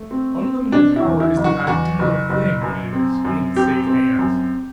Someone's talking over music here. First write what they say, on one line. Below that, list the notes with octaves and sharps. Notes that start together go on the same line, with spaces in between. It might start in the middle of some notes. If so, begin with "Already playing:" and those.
Unlimited power is the ideal thing when it is in safe hands.
Already playing: A3
C4
C4
B2 D4
E4
E2
E4
F#1
F#4
E2 F#4
F#1
F#1
F#2
C4
F#2
C4 G4
C4
F#2